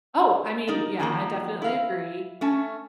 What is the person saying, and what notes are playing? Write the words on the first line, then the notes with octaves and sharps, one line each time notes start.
Oh, I mean, yeah, I definitely agree.
D#4 A#4 D5 D#5
D#3 F3 F#3 A#3
E4 F5
A3 C#4 A5